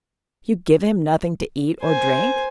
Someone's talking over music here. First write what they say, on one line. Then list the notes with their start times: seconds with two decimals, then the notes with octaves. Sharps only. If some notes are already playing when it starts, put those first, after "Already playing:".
"You give him nothing to eat or drink?"
1.81 C5 G#5